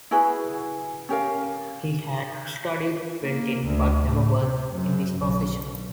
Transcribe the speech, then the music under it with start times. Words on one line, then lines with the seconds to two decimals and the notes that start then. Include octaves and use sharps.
He had studied printing, but never worked in this profession.
0.11 E4 F#4 G#4 B4
1.09 C#4 G4 A#4 F5
3.23 A#3
3.64 D2
4.04 A2
4.38 C3
4.73 F#2
5.20 B1